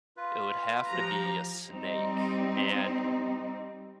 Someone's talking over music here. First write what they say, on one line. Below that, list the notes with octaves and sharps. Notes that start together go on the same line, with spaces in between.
it would have to be a snake, and
F4 B4
F3 G4 A#5
G3 C4 D#4